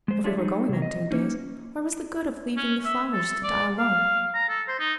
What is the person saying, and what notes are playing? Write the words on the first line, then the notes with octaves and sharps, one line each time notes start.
If we were going in two days, where was the good of leaving the flowers to die alone?
G#3 C5
D4 F4 G4 C#5 D5 E5
F#3 G3 A3 D#4 G#4
C3 F#3
D#5
A#3 C#4 D#4
C#4
E5
A4
D5
F5
A#5
A4
C5
D#4